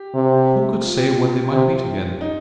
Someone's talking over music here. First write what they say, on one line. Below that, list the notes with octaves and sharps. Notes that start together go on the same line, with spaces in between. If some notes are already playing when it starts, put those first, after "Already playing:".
Who could say when they might meet again?
Already playing: G4
C3
F4
G4
F4
C3
D#4